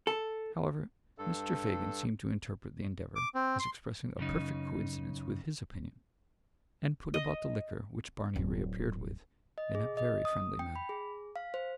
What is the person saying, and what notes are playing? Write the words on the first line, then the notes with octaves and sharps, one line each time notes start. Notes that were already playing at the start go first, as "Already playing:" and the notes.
However, Mr. Fagin seemed to interpret the endeavour as expressing a perfect coincidence with his opinion, and put about the liquor which Barney reappeared with, in a very friendly manner.
A4
G2 A4
D6
C4
C6
F#2 C#3 D#4
D#5
D1
D#5
G#4
D#5
D#6
G5
B5
G#4
F5
C5